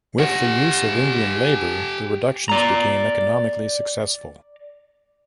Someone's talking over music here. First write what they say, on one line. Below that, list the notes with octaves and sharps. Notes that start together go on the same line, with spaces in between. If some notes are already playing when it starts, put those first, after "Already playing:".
With the use of Indian labour, the reductions became economically successful.
G4 F#5
D5 A#5